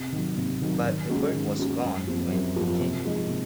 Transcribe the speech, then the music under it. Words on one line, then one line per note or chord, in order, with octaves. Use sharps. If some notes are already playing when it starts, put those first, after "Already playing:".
But the bird was gone when he came.
Already playing: C3
D#3 F#3
C3
D#3 F#3
D#3
G#3 C#4 F#4
D#3
G#3 C#4 F#4
F#2
F3 C4 F4
F#2
F3 C4 F4
C3
F3 G#3 D#4
C3